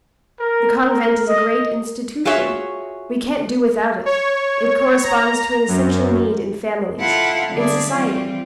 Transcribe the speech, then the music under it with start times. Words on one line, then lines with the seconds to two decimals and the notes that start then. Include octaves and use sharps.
The convent is a great institution; we can't do without it; it corresponds to an essential need in families, in society.
0.39 A#4
0.86 A#4
1.26 D#5
2.25 F4 F#4 G#4 C#5 E5
4.06 C#5
5.03 A#5
5.68 F#2
6.99 E4 F4 A4 F5 F#5
7.53 D3 G3 D4 G#4 D5 E5
7.90 E3 G3 C4 F4